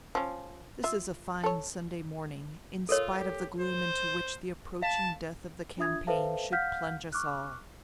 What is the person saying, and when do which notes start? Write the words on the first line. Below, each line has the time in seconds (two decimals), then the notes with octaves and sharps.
"This is a fine Sunday morning in spite of the gloom into which the approaching death of the campaign should plunge us all."
0.15 F3 C#4
0.84 F4 E5
1.44 A4 C#5
2.89 F4 A4 A#4 C#5
3.19 G4
3.59 C5
4.82 F5 A5
5.78 D4 F4 E5 D#6 G#6
6.07 A4 B4 C5 E5 F5 A5
6.52 F5 F#5 F6 G6 B6
7.13 C#6 D6 F6 F#6